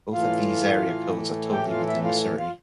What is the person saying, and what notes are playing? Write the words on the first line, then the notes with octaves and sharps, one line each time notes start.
Both of these area codes are totally within Missouri.
A2 E3 A3 F4 F5
G4 G5
F4 F5
E4 E5
F4 F5
F4 F5